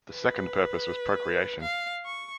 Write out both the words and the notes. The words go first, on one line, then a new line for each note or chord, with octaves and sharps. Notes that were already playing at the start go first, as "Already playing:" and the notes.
The second purpose was procreation.
B4
F5
C#6